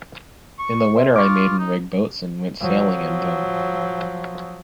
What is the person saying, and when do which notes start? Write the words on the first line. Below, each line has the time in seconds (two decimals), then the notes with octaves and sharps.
In the winter I made and rigged boats and went sailing in them.
0.59 C#6
0.96 C5 E5
1.16 F4 C#6 D6
1.59 D#4
2.61 F3 F#3